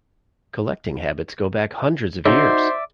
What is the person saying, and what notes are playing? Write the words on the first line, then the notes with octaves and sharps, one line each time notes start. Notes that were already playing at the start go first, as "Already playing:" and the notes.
Collecting habits go back hundreds of years.
C#3 D#4 F#4 C5 D5 E5